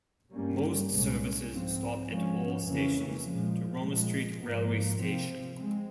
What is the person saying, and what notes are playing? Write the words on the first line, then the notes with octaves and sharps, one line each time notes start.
Most services stop at all stations to Roma Street railway station.
G2 G3 A#3 C#4
C2 A#2 G#3 C#4
G#2 F3 C4
G#2 F3 G#3 C#4
F2 C#3 E3 A#3 C#4
A#2 F3 G#3
A#2 F3 G#3
G#2 F3 A#3
C3 F3 C4
G#3 C4